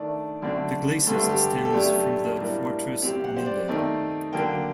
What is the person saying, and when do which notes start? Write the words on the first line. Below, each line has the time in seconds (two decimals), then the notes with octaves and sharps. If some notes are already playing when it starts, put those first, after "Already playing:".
The "Glacis" stems from the Fortress Minden.
Already playing: D#3 A3 D4 D5
0.42 F#2 D3 A3 C4 D5
1.07 G2 D3 A3 A4
1.29 G4
1.65 A4
1.72 F#2 F#3 A3 D4 G4
2.37 A2 G3 A#3 D4
3.02 F#2 F#3 C4 G4
3.24 F#5
3.36 C5
3.46 D5
3.68 D#3 A3 C4 D#4 D5
4.33 D3 F#3 A#3 G5